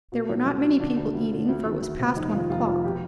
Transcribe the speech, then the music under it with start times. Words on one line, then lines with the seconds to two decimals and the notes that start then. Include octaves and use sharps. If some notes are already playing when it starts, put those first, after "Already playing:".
There were not many people eating, for it was past one o'clock.
0.12 B2
0.29 B1
0.46 B1
0.63 B2
0.80 D3 D4
0.97 D2
1.14 D2
1.32 D3
1.49 D2
1.65 D#3
1.82 D2
1.99 C3
2.16 F1 D#4
2.33 D#3 F4
2.50 F1 F4
2.67 F2 F4
2.84 B2 G4